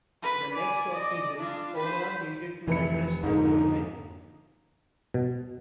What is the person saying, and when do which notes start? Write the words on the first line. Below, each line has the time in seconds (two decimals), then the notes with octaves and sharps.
The next offseason Omar needed to address the bullpen.
0.22 B4
0.55 D5 G#5
0.89 D5 D#5
1.36 D4 F4
1.76 B4 C5
2.68 F1 E3 B4 C#7
3.23 F2 G#2 D3 A#3 D#4
5.14 B2